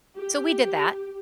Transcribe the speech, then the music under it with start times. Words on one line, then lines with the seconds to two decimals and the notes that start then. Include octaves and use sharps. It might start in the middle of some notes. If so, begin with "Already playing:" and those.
So, we did that
0.17 G4